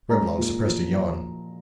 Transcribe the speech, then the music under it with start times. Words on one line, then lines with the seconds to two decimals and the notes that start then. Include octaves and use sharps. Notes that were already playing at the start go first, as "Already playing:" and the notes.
Reblong suppressed a yawn.
0.09 G#3 A#5
0.38 A#2
0.67 F3